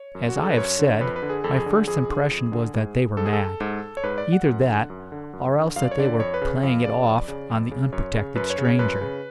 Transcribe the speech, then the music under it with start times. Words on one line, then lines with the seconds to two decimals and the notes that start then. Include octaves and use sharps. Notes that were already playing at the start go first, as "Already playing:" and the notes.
As I have said, my first impression was that they were mad; either that, or else that they were "playing it off" on the unprotected stranger.
Already playing: C#5
0.15 F#2
0.29 F#4
0.36 D3 G#4
0.43 A4
0.50 B4
0.57 F#2 C#5
0.79 D3
1.01 F2 B4
1.16 B4
1.22 D3
1.29 G#4
1.44 F2 A4
1.58 G#4
1.66 D3
1.87 F2 G#4
2.09 D3
2.31 F2
2.52 D3
2.74 G#2
3.17 G#2 A4
3.26 G#4
3.33 A4
3.60 G#2
3.97 C#5
4.03 G#2 B4
4.18 D5
4.33 F#5
4.47 F#2
4.68 D3
4.90 F#2
5.12 D3
5.33 F#2
5.55 D3
5.76 F#2 F5
5.84 D5
5.91 C#5
5.98 D3 D5
6.19 F2 C#5
6.34 B4
6.42 C#3
6.63 F2 F5
6.84 C#3 D5
7.06 F2
7.28 C#3
7.50 F2
7.71 C#3
7.92 F#2 C#5
8.14 C#3
8.36 F#2 B4
8.50 C#5
8.58 C#3
8.65 C#5
8.79 F#2 B4
9.01 C#3